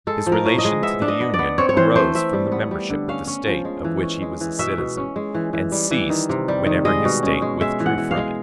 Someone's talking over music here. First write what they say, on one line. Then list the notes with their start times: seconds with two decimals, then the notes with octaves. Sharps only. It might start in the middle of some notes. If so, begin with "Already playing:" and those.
His relation to the Union arose from the membership of the State of which he was a citizen, and ceased whenever his State withdrew from it.
0.07 G#3 A4
0.27 F3
0.32 A#4
0.45 A2
0.58 D#5
0.65 G#3
0.82 B3 E5
1.02 D4
1.08 D#5
1.20 B3
1.34 D5
1.39 B3
1.58 C4 C#5
1.69 C#5
1.77 E3 C5
1.95 A3 C5
2.15 C4 E5
2.33 G3
2.52 B3
2.71 G3
2.90 D3
3.09 C#4 F5
3.27 C#4
3.47 F3
3.65 G#3
3.84 E3
4.03 C#4
4.22 G#3
4.41 E3
4.59 B2 E5
4.78 B2
4.97 C#4
5.16 G#3
5.35 E3
5.53 E3
5.72 G3
5.91 E3
6.10 D#3
6.29 C3
6.48 G3
6.66 D#3
6.85 G#3 D#5
7.05 B2
7.23 C#4
7.42 G#3
7.61 G#3 E5
7.80 E3
7.86 F#5
7.98 E3
8.11 F5
8.17 G#3